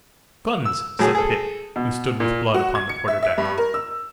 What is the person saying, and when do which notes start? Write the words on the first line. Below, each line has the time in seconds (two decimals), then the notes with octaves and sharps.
"Guns!" said Pitt, who stood with Blood upon the quarter-deck.
0.65 E6
0.99 A2 F#3 G#4
1.15 G#4 A4
1.76 B2
2.20 A#2
2.54 F#4
2.75 G#6
2.89 C#7
3.08 E5
3.23 E5
3.38 G2
3.58 A#4
3.74 E6